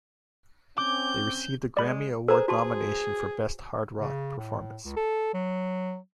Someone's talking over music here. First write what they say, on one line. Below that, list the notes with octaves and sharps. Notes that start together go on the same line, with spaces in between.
They received a Grammy Award nomination for Best Hard Rock Performance.
C4 C#4 D6 G6
G#3 D5 B5
G#4 A4 B4 C5 A#5
F#4 G#4 A5 C6
C#3
A2
C#2
A4
F#3